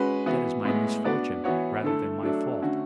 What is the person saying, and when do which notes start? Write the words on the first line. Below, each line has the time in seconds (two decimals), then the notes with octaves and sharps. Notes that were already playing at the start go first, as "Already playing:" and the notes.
"That is my misfortune, rather than my fault."
Already playing: G#3 C#4 F#4 B4
0.26 E3 B3 F#4
0.65 A2 G#3 B3
1.04 B3 D4 F#4 B4 D5
1.44 E3 B3 F#4 C#5
1.83 D3 A3 E4 A4
2.23 F#3 A3 D4 A4
2.62 D3 A3 C#4 F#4